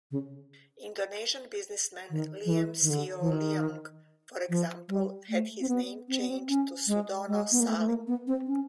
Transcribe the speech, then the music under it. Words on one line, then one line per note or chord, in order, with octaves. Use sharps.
Indonesian businessman, Liem Sioe Liong, for example, had his name changed to Sudono Salim.
C#3
D#3
F3
E3
D#3
D3
E3
D#3
F3
G3
A3
C4
B3
C4
B3
C4
C#4
G#3
G#3
B3
A#3
A3
A3
A#3
B3
C4
C#4